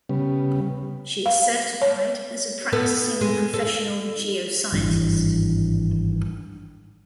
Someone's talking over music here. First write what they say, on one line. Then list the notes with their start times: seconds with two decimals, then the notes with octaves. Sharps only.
She is certified as a Practicing Professional Geoscientist.
0.09 C#3 G3 B3
1.26 F5
1.82 C#5
2.72 B3 A4 B4
3.21 G#3
3.53 A4
4.72 G#1 G2 E3